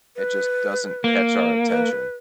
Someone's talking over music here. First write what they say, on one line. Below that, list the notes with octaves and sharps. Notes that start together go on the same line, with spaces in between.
it just doesn't catch our attention,
B4
A#3
B4